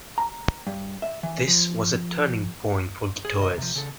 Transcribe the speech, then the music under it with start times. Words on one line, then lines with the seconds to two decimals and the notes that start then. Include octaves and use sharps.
This was a turning point for Gittoes.
0.18 A#5
0.67 G2
1.02 E5
1.23 E3
1.48 F3
3.25 G#4
3.39 C2 D#5
3.58 C3 F3
3.76 C#3 A4